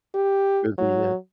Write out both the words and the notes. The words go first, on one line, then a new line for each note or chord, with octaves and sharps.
review, yeah.
G4
F#3